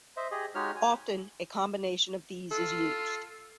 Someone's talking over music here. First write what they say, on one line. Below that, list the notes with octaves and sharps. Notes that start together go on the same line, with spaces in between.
Often a combination of these is used.
C5 D#5 E5
G4 G#4 D#5
G#3 D#4 F#4 G4 C#5 F6
G#5
F4 A4